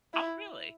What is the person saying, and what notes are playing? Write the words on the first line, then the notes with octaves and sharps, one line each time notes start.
Oh, really?
E4